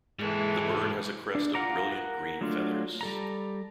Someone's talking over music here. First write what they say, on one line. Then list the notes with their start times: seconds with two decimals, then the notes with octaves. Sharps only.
The bird has a crest of brilliant green feathers.
0.19 G#2 E3 G#3 A4
1.35 D4
1.54 F4 F5 F#5 A#5 D6
1.92 A#4 F#5
2.41 F#3 A3 D4 F4
3.01 G3 A4 A#5